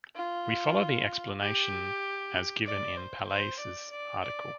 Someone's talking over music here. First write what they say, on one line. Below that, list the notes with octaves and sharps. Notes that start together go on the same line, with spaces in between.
We follow the explanation as given in Palais's article.
F4
G4
D5
C5
C5
D5
D5
D5